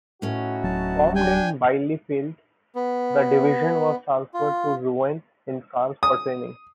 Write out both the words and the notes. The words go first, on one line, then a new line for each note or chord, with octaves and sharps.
Formed in Bielefeld, the division was transferred to Rouen in France for training.
A2 C#4 D#4 E4 F#4
D1 F#3 A5
D4 G5 G#5
B3
F4
D#6